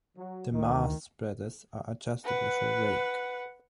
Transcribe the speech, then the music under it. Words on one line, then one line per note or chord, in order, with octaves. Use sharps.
The mast spreaders are adjustable for rake.
F#3
D2 D#3
B4 F#5